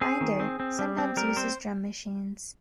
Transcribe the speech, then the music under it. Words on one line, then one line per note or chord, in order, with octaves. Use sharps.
Binder sometimes uses drum machines.
C4 G#4
D#3
C4
C4
G3
C4
G3 A#4
C4 C5